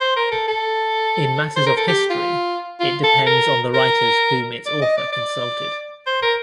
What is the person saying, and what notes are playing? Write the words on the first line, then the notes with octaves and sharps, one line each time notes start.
In matters of history, it depends on the writers whom its author consulted.
C5
A#4
A4
A4
C5
A#4
A4
G4
F4
F4
A4
A#4
A#4
D5
D#5
D5
D5
C5
A#4